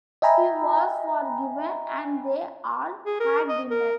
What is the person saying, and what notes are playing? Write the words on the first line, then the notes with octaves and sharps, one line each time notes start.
He was forgiven, and they all had dinner.
D#5 E5 G5 G#5 A#5 B5
G#4
A#4
D#5
A#4